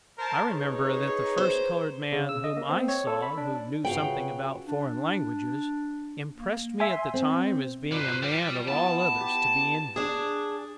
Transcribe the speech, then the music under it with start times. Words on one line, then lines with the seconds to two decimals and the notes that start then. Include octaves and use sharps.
I remember that the first coloured man whom I saw who knew something about foreign languages impressed me at the time as being a man of all others to be envied.
0.18 A#4 C5 A5
0.51 D#4 G#4 B4 C#5
1.38 C5
2.12 C#3
2.29 E6
2.44 D#5
2.57 A#3
2.70 C4
2.88 C#5
3.07 A4
3.22 B5
3.37 D4
3.85 C#3 F4 F#4 B4 F#5 G5
4.65 D4
6.36 A#3
6.80 E5 G#5 C6
7.14 C4
7.92 F4 B4 C5 D5
8.23 G3
8.68 B3 E4 A5
9.21 G4
9.96 D4 G#4